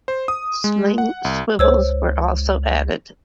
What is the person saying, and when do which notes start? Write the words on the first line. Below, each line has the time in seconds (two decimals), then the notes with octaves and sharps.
Sling swivels were also added.
0.08 C5
0.28 D#6
0.64 G#3
0.98 F#5
1.25 C2
1.59 C#2 C5 C#5 E6